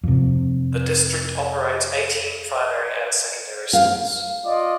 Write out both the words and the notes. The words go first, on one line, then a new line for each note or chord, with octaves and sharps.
The district operates eighteen primary and secondary schools.
F2 C3
F5
F4 D5 D#5